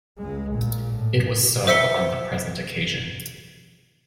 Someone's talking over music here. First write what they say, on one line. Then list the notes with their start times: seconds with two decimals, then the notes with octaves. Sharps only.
It was so on the present occasion.
0.19 C#2 G#3
0.52 A#1 A#2
0.94 A2
1.67 C5 E5 E6 B6 C#7 G7